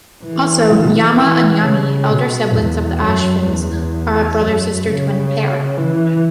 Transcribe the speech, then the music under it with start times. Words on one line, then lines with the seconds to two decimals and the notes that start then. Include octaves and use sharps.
Also, Yama and Yami, elder siblings of the Ashvins, are a brother-sister twin pair.
0.25 E3
1.16 E3
1.62 C#3
2.09 B2
2.54 E2
3.01 F#2
3.47 E2
4.40 F#2
4.85 C#3
5.77 E3